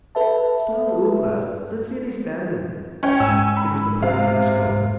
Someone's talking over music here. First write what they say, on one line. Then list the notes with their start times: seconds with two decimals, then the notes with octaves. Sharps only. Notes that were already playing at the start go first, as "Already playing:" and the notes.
"Stand oop, lad; let's see thee standin'." It was the publican who spoke.
0.15 A4 B4 E5 A5
3.03 C#4 C#5 G5
3.20 G#2 G#5 E6
3.57 B5
4.02 C3 F5